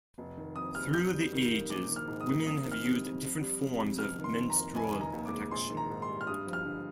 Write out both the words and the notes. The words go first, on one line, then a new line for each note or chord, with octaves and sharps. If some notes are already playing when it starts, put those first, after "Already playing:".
Through the ages women have used different forms of menstrual protection.
F1
D#3
F2 D#6
G3 F6
F2 G6
G3
D#3
A#3
A#1 D6
D#3
F6
G#2
D#6
A#3
F2 D#6
D#3
F6
C3
F2
F2
G3
C3
F2
F1 F6
D#3
C6
F2
A#5
A#3
F1 G#5
D#3
A#5
D#2
D6
G#3
A#1 C6
D#3
A#5
G#2
C6
G3
F6
G2 D#6
F3
F6
D3